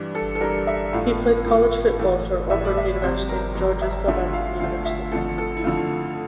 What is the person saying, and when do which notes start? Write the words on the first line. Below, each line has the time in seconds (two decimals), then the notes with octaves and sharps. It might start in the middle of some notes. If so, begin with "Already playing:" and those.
He played college football for Auburn University and Georgia Southern University.
Already playing: G2 E3 G3
0.15 A4
0.35 A4
0.40 G2 E3 G3 A#4
0.67 E5
0.93 A2 F3 A3 F5
1.45 A2 F3 A3
1.98 A2 E3 A3
2.50 A2 E3 A3 E5
2.65 D5
2.78 E5
3.02 F2 C3 G3 C5
3.29 A#4
3.55 F2 C3 G3
3.82 E5
4.07 D2 D3 F3 A3 E5
4.33 F5
4.59 D2 D3 F3 A3 F5
4.85 E5
5.11 F2 D3 F3 A3 A4
5.38 A4
5.57 E4
5.64 F2 D3 F3 A3 F4